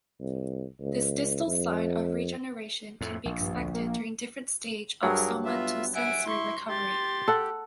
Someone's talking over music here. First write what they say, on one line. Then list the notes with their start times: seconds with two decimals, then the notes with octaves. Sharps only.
This distal sign of regeneration can be expected during different stage of somatosensory recovery.
0.21 C2
0.80 C#2
1.47 F2
3.01 F2 A2
3.25 A#1
3.40 G2
3.56 D2
3.74 A#3
5.03 G2 F#3 G#4 A#4
5.45 B3 F4 E5
5.95 E5 F#5 G#5 D7
6.26 E4 C6 C#6
6.69 G4 C6 A6
7.28 A4 F#5